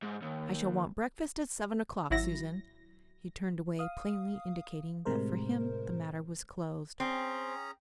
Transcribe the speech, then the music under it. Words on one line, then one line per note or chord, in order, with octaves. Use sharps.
"I shall want breakfast at seven o'clock, Susan." He turned away plainly indicating that for him the matter was closed.
G#2
D#2
G#1 F#3 E4 A#6
F5 D#6
A2 C3 G#3 A#4 C5
C4 C#4 G#4 A#5